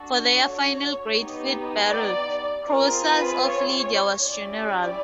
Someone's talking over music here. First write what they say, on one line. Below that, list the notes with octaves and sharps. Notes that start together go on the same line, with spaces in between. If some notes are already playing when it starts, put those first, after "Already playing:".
For their final great field battle, Croesus of Lydia was general.
Already playing: D4 F#4 A4
C#5
B3 D#4 G4
D5
C4 F4 G#4 A#4
B4
C#5
C#4 E4 G4 D5